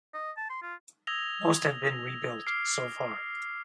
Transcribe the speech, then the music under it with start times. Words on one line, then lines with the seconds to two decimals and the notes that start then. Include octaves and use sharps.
Most have been rebuilt so for.
0.14 D#5
0.37 A5
0.50 C6
0.62 F4
1.07 D#6 E6 G#6 A#6 F7 G7
2.46 D6 F6 C7 D7